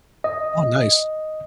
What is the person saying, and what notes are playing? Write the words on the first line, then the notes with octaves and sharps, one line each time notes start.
Oh, nice.
D#5